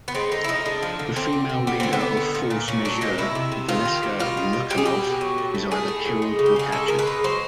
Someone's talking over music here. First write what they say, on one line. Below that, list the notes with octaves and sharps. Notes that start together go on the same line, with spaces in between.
The female leader of Force Majeure, Valeska Lukanov, is either killed or captured.
B3
G#3 C4
D3 D#4
E4
F3 D#4
G#3 D4
F3
D3
D3 C4
D3
D3
G3 B3
D3 C4
B3
D3
A#2
A#2
A#2
A#2 C#4
F#3 D4
A#2 D#4
C3 E4
C3
C3
D#3 F4
D#3
G3
B2 F4
B2
G3
G3 G4
G#4
B2 G4
B2
F#3
A2
A3
A3 G#4
A2
F#3
G#3
C#3
G4
C#3 G#4
G#3 A4
C#3 A#4
B4
G#3
F#3 C5